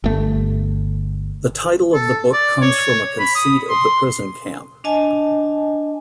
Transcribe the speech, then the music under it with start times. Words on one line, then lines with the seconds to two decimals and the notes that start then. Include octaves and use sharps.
The title of the book comes from a conceit of the prison camp.
0.04 G1 A3
1.93 A4
2.33 D5
2.62 C#5
3.19 B5
3.35 D#6
3.70 C6
4.84 D4 D#5 G#5 A5